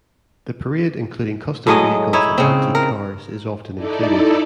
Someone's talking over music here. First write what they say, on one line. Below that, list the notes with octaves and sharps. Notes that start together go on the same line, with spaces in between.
The parade including custom vehicles and antique cars is often included.
A2 F#3 G#3 D#5
D#4 E4 C#5
C#3 C4
A#4
D#4 E4 A4 D5